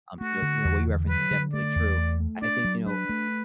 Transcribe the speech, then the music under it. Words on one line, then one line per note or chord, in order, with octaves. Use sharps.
Um, so, you know, what you referenced is definitely true. I think, you know,
A3 F#4
D3
E2
D3
F#3 B4
D3
A3 D5
E2
A3
A3
D4 D5
F#3
D4 B4
A3